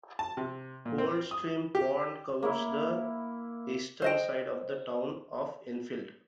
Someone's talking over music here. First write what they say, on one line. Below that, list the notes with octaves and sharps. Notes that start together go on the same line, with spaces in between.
Cold Stream Pond covers the eastern side of the town of Enfield.
A5
C3
A#2
C4
D#6
G4
A#3 E4
C5 D#5 G5